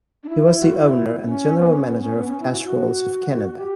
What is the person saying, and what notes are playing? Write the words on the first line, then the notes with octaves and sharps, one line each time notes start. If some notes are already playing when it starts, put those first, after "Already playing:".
He was the owner and General Manager of "Cash Rolls of Canada".
D4
E4
E4
F#4
E4
C#4
B3
C#4
B3
C#4
B3
C#4
E4
F#4
E4
F#4
F#4
G4